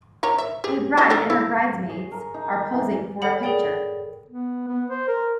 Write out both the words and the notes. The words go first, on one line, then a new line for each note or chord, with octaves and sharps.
A bride and her bridesmaids are posing for a picture.
A#3 C#5 A#5
E5
G4 G#4
F#3 D#4 D#5
D4 A4 A#4
E4 A4 F5
C#5
G#4
A#4
D#4
E3
A4 C#5 F#5 B5
G#4 A#4 D5 G5
B3
B3
C5
A#4